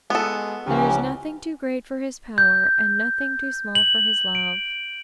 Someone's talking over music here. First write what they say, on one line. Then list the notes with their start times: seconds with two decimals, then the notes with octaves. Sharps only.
"There is nothing too great for his power, And nothing too small for his love!"
0.10 G#3 B3 F#4 A4 B4 D#6
0.66 C#2 E3 F3 C#4 D#4 G4
2.38 G6
3.75 F#7
4.35 D7